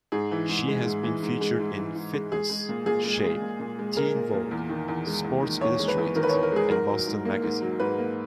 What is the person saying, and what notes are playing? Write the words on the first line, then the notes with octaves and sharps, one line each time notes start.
She has been featured in "Fitness", Shape, "Teen Vogue", "Sports Illustrated", and "Boston Magazine".
G#2 G#4
E3
G#2
G#3
G#2
E3
G#2
G#3
G#2
E3
G#2
G#3
G#3 G#4
G#3
A#2
A#2 G#4
G#3
G#3
A#2
A#2
G#3
G#3 A#4
A#2
A#2
E2
D#3
E2
G#3
E2
D#3
E2 C#5
G#3
B4
E2
D#3 A#4
B4
E2 C#5
A#4
G#3 G#4
G#2 A#4
F#3
G#2
A#3
G#2
F#3
G#2 B4
A#3